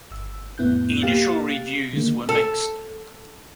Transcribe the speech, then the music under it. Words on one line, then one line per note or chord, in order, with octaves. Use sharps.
Initial reviews were mixed.
G1 E6
F2 A2 B3 E4 F#6 G6
B2 A#3 G4 F5 F#6 A6
D3 D#3 G#3 A#3
A4